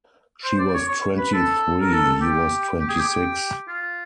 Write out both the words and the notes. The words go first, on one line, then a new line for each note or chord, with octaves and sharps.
She was twenty-three; he was twenty-six.
C5
D5
C#5
C#5
B4
A4
A#4
A4
G4
G4
G#4
G4
F4